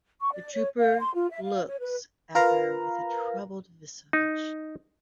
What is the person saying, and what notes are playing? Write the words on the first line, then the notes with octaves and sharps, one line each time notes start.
The trooper looks at her with a troubled visage.
C#6
D5
C#5
F5
C6
F4
E5
F5
C#5
B4
F4 A#4 B4 F5 A#5
D#4